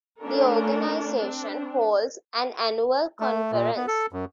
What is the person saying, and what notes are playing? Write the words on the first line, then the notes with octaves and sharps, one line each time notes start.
The organization holds an annual conference.
A3 C#4 D4 F4 A4 A#4
C4 D4
A3
A#2
B3
A4
F#2